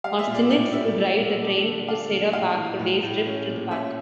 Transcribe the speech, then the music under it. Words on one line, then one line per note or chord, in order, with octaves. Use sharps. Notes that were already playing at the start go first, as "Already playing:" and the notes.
Austinites would ride the train to Cedar Park for day trips to the park.
G3 F5
E5
A#2
D5
A2 D5
G3 E5
A#2
A#2
D4
D3
D4 F5
A#2
A2 F5
E3
A2
A2
C#4
A#2
C#4 E5